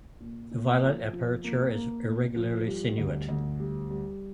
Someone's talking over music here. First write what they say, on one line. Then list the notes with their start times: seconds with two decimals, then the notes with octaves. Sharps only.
The violet aperture is irregularly sinuate.
0.20 A#2
0.51 A#2
0.83 F3
1.13 F3
1.44 A#3
1.74 A#3
2.05 A#2
2.36 F3
2.67 G3
2.98 D2
3.29 D2
3.60 G3
3.90 G3